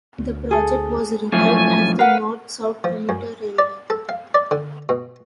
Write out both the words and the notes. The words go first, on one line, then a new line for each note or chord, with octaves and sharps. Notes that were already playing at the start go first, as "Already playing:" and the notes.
The project was revived as the North–South Commuter Railway.
D2
G#4 A4
F#2 A2 F3 A3 G#5
A#4 B4 F5 F#5
F3
F#2
D5
A4
F5
D5
D3
B2